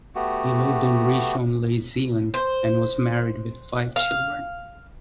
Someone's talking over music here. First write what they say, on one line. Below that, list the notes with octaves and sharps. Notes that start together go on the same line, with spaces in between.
He lived in Rishon LeZion and was married with five children.
A3 B3 F#4 G4
C5
F5